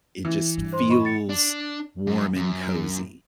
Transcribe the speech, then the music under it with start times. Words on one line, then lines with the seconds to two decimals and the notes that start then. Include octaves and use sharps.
it just feels warm and cozy.
0.25 E3
0.57 G2
0.72 C5 C6
0.90 D#5 B5 C#6
1.05 A6 C#7
1.29 D4
2.07 F#2
2.36 F#2